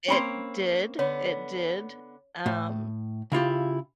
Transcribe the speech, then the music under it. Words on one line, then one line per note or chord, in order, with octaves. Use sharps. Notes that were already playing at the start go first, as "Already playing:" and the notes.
It did. It did. Um,
A#3 C4 C#4 C#5 B5
D3 B3 C#5
A2
C#3 E4 F4 G4